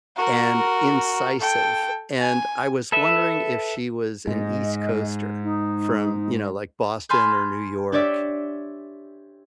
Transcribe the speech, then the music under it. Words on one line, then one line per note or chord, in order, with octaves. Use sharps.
and incisive. And I was wondering if she was an East Coaster from, you know, like, Boston or New York.
F#4 A#4
A4 G5
G#5
A4 B4 E5
G#2 D#5
D#4
G#5 A5 B5 C6 F6 G6
D4 G4 C#5 D5 E5